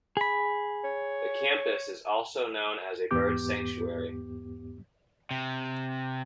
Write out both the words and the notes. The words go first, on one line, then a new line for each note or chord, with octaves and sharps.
The campus is also known as a bird sanctuary.
G#4 B5
C#5
E2 G#2 B3 G4 D6 G6
C3